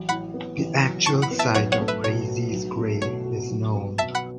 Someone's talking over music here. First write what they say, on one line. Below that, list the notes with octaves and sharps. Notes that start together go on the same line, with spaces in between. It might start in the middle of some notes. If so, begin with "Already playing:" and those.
The actual site of Reizei's grave is known.
Already playing: A1 F#3
A2 F#5 B5
B3
A1
F#3
A2 A5 C#6
F#5 B5
B3
E5 A5
B1 C#5 F#5
C#5 F#5
A3
B4 E5
B2 C#5
F#4
B1
A3
B2 C#5
F#4
B1
B3
B2 E5 A5
F#5 B5